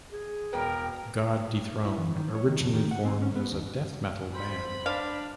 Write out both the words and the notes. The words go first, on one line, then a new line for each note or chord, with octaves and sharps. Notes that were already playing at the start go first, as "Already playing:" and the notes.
God Dethroned originally formed as a death metal band.
G#4
E1 A#4 B4 G5
E4
E3
D#3
C#5
D#3
F2
D#3
F#5
C4
C#4
B3
D#2
C5 B5
D4 F5